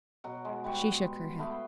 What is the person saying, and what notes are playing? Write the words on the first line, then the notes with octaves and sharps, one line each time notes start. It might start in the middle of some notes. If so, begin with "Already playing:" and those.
She shook her head.
B2 F#3 F#5
G#3
G3 G#3 B4 C#6
A3 B3 F5 G5